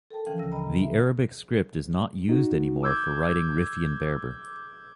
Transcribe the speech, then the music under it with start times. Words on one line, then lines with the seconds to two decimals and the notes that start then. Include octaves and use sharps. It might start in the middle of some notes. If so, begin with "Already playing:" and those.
The Arabic script is not used anymore for writing Riffian Berber.
0.11 A4 A#4 G5 A5
0.26 D3 E3 F3 C#4 G5
0.39 D2 C#3 F3 E6 A#6
0.51 C#3 D#5 G5 A#5 B5
0.64 A#2 C#3
0.81 E5
2.29 D#4 F#4
2.83 D6 E6 G6 G#6